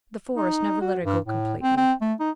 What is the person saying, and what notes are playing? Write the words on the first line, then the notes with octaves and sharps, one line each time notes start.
The Forest never let her go completely.
D#4
F#4
G2
A2
C4
C4
A3
D#4